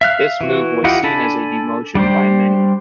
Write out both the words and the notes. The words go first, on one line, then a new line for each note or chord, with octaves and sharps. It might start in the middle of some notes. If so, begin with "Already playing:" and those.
This move was seen as a demotion by many.
E5 F5 F#6
E3 F#4
E4 F4 G4 D#5 F#5
D4 A4 G#5 A5 B5
G3 D4 G4 C5